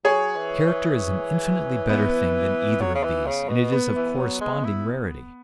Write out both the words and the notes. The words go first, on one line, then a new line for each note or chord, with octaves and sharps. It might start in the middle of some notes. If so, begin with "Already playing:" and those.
Character is an infinitely better thing than either of these, and it is of corresponding rarity.
F#3 G#4 C#5
E3
E3
B3
F#3
C#3
E3
C#3
B2
B3
E3
F#3
G#3
E4